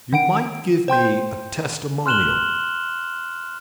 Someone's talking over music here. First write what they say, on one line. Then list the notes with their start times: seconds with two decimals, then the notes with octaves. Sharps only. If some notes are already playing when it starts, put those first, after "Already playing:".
"You might give me a testimonial."
0.13 D#3 F#5 D7
0.88 C5 G5 C6 G6
2.06 C6 F6 F#6 E7 F#7 G7